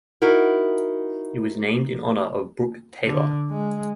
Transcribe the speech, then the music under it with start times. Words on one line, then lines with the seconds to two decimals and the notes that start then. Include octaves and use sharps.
It was named in honour of Brook Taylor.
0.22 D#4 E4 F#4 A#4
3.06 D3
3.50 G#3